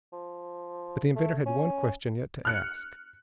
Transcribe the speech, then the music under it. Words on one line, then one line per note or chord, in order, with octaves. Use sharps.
But the inventor had one question yet to ask.
F3
A3
C#4
F6 F#6 C#7